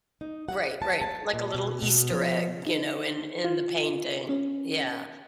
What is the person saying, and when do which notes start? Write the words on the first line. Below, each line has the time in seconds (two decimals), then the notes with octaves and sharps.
Right, right. Like a little Easter egg, you know, in in the painting. Yeah.
0.21 D#4
0.49 F#5
0.82 A5
1.02 A5
1.33 A#2
1.54 B2
1.82 B2
2.11 F3
2.67 D#4
3.44 F4
4.29 C#4